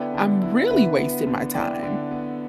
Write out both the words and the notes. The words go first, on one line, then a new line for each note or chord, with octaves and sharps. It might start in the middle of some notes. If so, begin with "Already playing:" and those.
I'm really wasting my time,
Already playing: D3 B3 E4 A4 B4 D5 E5 G5
D3
E4
D3 B4 E5
B3
D3
E4 D5 G5
D3
B3